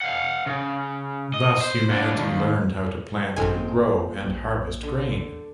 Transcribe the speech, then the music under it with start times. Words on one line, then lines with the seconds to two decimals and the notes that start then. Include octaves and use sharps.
Thus, humanity learned how to plant, grow and harvest grain.
0.01 F5 F#5
0.46 C#3
1.34 D#5
1.61 C5
1.90 A#2 D4
2.16 D#2
3.36 G#1 F#2 B2 G#3 C4 D#4 A4 G#5
3.53 A#2
4.22 A#1
4.83 D3